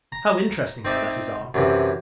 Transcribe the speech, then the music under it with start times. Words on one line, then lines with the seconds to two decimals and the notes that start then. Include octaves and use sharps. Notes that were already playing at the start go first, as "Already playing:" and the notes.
How interesting your letters are!
0.12 A#5
0.85 C4 D#4 D5 E5
1.54 F#2 C3 E3